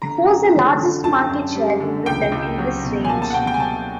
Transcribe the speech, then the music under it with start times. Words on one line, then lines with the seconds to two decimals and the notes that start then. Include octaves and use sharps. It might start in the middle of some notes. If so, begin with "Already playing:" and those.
It holds the largest market share in Britain in this range.
0.02 D3 A#5
0.27 F#2
0.53 D3
0.78 D3
1.03 F#2 A5
1.30 F#2
1.55 G3
1.80 D3
2.06 C#2 G5
2.32 C#2
2.58 F#3
2.83 B2
3.05 G#5
3.09 A#3 A5
3.22 A5
3.30 F#5
3.34 B2 G5
3.47 G5
3.54 G#5
3.60 F#3 A5